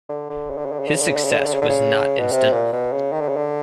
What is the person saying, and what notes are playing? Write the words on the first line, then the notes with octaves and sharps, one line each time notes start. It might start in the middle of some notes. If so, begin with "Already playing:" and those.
His success was not instant.
D3
D3
C#3
D3
C#3
D3
C#3
D3
C#3
D3
C#3
D3
C#3
D3
C#3
D3
C#3
D3
C#3
B2
C3
A#2
B2
C#3
D#3
D3
C#3
D3